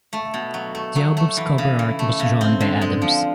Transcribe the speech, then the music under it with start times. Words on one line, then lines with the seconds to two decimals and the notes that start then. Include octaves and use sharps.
The album's cover art was drawn by Adams.
0.13 A3
0.34 B2
0.54 F#3
0.75 A3
0.96 F#3
1.17 A3
1.37 E3
1.58 C#3
1.79 E3
1.99 A3
2.20 C#3
2.41 C4
2.60 D3
2.81 G#3
3.02 F3